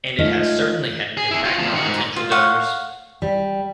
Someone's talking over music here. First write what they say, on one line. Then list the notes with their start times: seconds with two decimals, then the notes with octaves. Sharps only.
And it has certainly had an impact on potential donors.
0.18 G#3 A3 D#4 F4 C#5 F5
1.17 G#4
1.31 E4 G#4
1.44 F4 F#4
1.58 D2 F3
1.74 D#3 F#4
1.87 G#2
2.16 F4
2.31 F5 F#5 C#6
3.22 G3